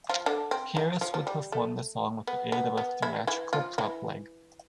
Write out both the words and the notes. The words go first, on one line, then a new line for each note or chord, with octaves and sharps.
Harris would perform the song with the aid of a theatrical prop leg.
F3 F4
D3 D4
C4
E3
F3
F3
G3
A3
B3
B3
B3
E3 E4
E3 E4
F3 F4
E3 E4